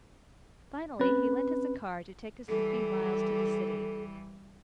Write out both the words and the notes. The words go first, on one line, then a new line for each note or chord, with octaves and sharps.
Finally he lent us a car to take us the few miles to the city.
C4 C#4 B4
E3 G3 A4